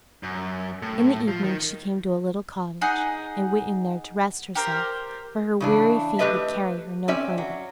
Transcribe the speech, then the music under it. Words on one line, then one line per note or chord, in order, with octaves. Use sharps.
In the evening she came to a little cottage, and went in there to rest herself, for her weary feet would carry her no further.
F#2
A2
F3
D#3
D#4 G#4 F#5
G4 A#4 C5
C#3 E3 D4
A3 G4 B4 D#5 E5
C4 C#4 D5 E5
F#3